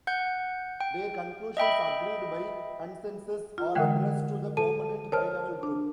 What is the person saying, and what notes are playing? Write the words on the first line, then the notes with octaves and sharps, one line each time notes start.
Their conclusions, agreed by consensus, are addressed to the Permanent High Level Group.
F#5 G6
G5
D#5 E5 G5 B5
F4
D3 E3 G#3 A#4 F#5 G5
A4 A5 D#7
A#4 C5 C#5 A5 F6
D4